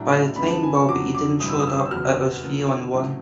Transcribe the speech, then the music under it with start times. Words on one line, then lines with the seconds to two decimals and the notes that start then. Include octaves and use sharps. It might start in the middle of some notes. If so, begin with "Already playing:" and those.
By the time Bobby Eaton showed up, it was three on one.
Already playing: B1 A2 F#3 A3 D4 A#5
0.36 F#2 D3 F3 G#3 B3 B5
0.49 A5
0.63 G#5
0.75 C#6
0.89 F2 C#3 F#3 D6
1.15 D6
1.40 G1 F2 C3 E3 G3 D#6
1.49 E6
1.59 D#6
1.67 E6
1.77 D#6
1.86 E6
1.91 F#1 E2 B2 F#3 F6
2.43 F#2 D3 F3 A#3
2.94 A1 A2 F#3 A3 C4